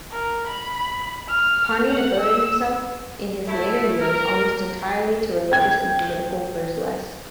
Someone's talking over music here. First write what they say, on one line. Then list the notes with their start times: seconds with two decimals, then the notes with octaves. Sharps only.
Parny devoted himself in his later years almost entirely to religious and political burlesque.
0.11 A#4
0.47 B5
1.28 F6
1.88 F#5
2.20 E6
3.47 A3 E4
4.00 A#4
5.52 G5 G#6